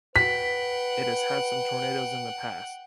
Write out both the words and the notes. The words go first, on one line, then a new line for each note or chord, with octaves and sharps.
It has had some tornadoes in the past.
B4 F#5 G5 B6